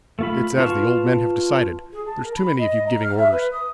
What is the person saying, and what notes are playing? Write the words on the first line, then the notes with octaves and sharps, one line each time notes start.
"It's as the old men have decided--there's too many of you giving orders."
A3 F4 B5
F4 B4 F5 A5 C#6
G#4
A5
A#4
B5
D#5
A#5
F6
E5
B4
D#6